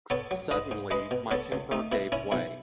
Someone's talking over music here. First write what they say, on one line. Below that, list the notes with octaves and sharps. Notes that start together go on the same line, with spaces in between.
Suddenly my temper gave way.
B3 A4 C#5
F#3
G#2 B4 D#5
G#2
G#3 B4 D#5
B2
B3 A4 C#5
C#2
A3 D#4
B2 E4
C#4 E4
B1 E4